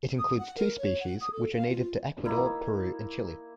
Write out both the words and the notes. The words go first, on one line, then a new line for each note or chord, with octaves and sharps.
It includes two species, which are native to Ecuador, Peru and Chile.
D#6
F#5
A#4
C#5
F#5
D#6
A4
F5
F4
A#3 D#4 E4